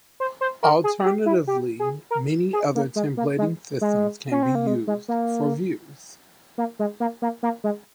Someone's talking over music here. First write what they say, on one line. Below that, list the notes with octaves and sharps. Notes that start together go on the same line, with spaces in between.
Alternatively, many other templating systems can be used for views.
C5
C5
A#4
G#4
G4
E4
G4
G#4
A#4
G#4
A#3
G#3
A#3
G#3
G#3
C#4
C4
A#3
G#3
G#3
A#3
A#3
G#3
A#3
A#3
A#3
G#3